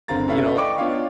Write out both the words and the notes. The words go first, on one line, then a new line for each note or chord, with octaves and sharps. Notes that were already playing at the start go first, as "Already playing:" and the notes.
You know
F#1 D3 C4 F5 A#5 A6
A3 C#4 E4 B4 E5 F5
D5 D#5 G5 C#6 D6
B3 D4 F4 C#5 F5